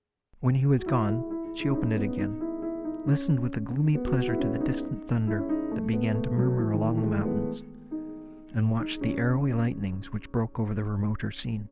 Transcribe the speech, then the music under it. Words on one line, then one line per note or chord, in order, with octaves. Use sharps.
When he was gone, she opened it again, listened with a gloomy pleasure to the distant thunder, that began to murmur among the mountains, and watched the arrowy lightnings, which broke over the remoter scene.
F#4
E4
E4
E4
E4
E4
C#4
D#4
B3
D#4
E4
E4
D#4
C#4
B3
F#4
F#4
E4
C#4
D#4
E4
C#4
D#4
A3
B3
A3
F#3
E3
D#3
E3
A3
G#3
B3
D#4
D#4
C#4